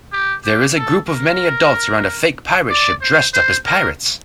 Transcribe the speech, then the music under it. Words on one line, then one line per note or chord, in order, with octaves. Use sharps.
There is a group of many adults around a fake pirate ship dressed up as pirates.
G4
G4
A4
A#4
D5
C5
C5
A#4